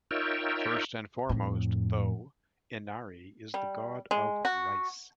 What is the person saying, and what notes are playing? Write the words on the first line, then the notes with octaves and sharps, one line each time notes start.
First and foremost, though, Inari is the god of rice.
D#4 F4 A#4 C#5 E5 G5
F2 A2
G3
G#3
F#4